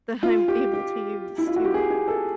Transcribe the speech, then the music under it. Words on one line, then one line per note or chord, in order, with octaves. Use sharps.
that I'm able to use to
F4
G4
G4
E4
F4
F#4
G4
G#4
G#4
A4